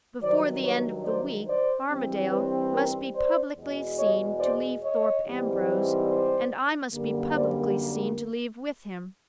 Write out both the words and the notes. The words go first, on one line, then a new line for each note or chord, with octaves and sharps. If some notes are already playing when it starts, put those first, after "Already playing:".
Before the end of the week Armadale must be publicly seen to leave Thorpe Ambrose; and I must be publicly seen to leave with him.
G2 D#3 F#3 C5 D5
B4 C#5
C5 D5
C5 D5
G2 E3 G3 C4
B4 C#5
A#4 C5
C5 D5
E2 B2 G#3
C#5 D#5
C5 D5
C#5 D#5
G#2 E3 G3 C4
C5 D5
F#2 D3 G3 A#3
C5 D5